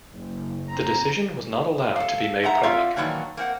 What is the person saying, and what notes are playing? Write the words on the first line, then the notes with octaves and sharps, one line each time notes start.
The decision was not allowed to be made public.
F#1
C4 A#5
A4 F5
G#2 E5 F#5 A#5
C4 F4 D5 E5 F5
A#2 D#3 E3 F#3 A#3 D4
A#3 C4 F#5